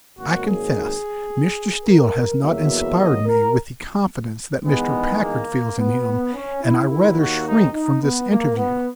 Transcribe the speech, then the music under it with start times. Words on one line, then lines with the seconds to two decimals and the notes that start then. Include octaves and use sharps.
I confess Mr. Steele has not inspired me with the confidence that Mr. Packard feels in him and I rather shrink from this interview.
0.17 G#1 G#2 F#3 A#3 F#4
0.45 G#4
1.85 A#4
2.41 E2 B2 F#3 A#3 E5
2.97 D#5
3.26 A#4
4.65 E2 D#3 G#3 B3
5.21 A#3
5.78 B3
6.34 C#4
6.62 E4
6.89 D#2 D#3 A#3 E4
7.18 F#4
7.45 D#4
7.73 D#4
8.02 B3
8.30 A#3
8.57 B3